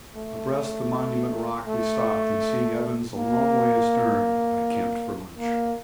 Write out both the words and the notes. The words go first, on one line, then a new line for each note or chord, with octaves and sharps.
Abreast the Monument Rock we stopped, and seeing Evans a long way astern, I camped for lunch.
A3
A3
A#3
A#3